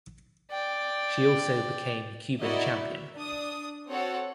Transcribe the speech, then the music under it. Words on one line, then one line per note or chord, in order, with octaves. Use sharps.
She also became Cuban champion.
D5 G5
E4 F#4 A#4 D5 D#5
E5
D4 D#6
C4 F#4 A4 C#5 F#5